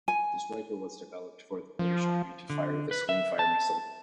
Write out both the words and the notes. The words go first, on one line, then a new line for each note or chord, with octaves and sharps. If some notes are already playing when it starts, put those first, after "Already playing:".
The Striker was developed for the British Army to fire the Swingfire missile.
G#5
F3
D3
B4
E5
A5